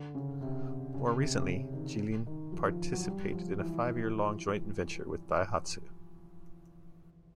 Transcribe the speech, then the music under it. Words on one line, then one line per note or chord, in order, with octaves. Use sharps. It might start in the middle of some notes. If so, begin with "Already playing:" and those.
More recently, Jilin participated in a five-year-long joint venture with Daihatsu.
Already playing: D3
C#3
C3
C#3
C#3
C3
C#3
C#3
D#3
D#3
F3
F3
F#3
G3
F3
E3